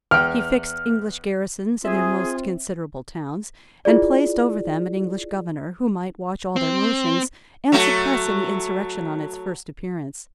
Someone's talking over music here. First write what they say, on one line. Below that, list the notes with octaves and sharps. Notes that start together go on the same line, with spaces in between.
He fixed English garrisons in their most considerable towns, and placed over them an English governor, who might watch all their motions, and suppress any insurrection on its first appearance.
E2 G5 F6
C4 F4 G#4 E5
E4 F4 G#4 D5
C4
F#3 A3 F#4